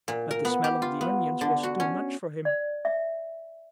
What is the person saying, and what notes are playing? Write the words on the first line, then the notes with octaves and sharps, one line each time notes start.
But the smell of the onions was too much for him!
A#2
A#4
B3
G4
F4
B3
D3
F#4
C#4
D5
E5